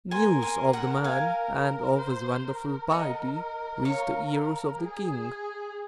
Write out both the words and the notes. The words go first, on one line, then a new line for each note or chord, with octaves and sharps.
News of the man and of his wonderful piety reached the ears of the king.
A#4 G#5 C6
G#5 C6
F#5 A#5
F5 G#5
C5
A#4
D#5 F#5
C#5 F5
G#4